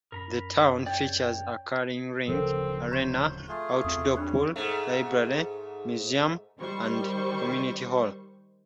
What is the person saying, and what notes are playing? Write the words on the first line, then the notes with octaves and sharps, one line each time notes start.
The town features a curling rink, arena, outdoor pool, library, museum and community hall.
F#2 A#4 A#5 B5
C#5 D5 G5
D1 C#3 F3 C4 A4 A#4 C5
C5 C#5 A#5 E7
A3 F4 G#4
E2 C4 D#6
G3 D4 C#5 F#6
G#2 A3
D#3 G3 C5 C#6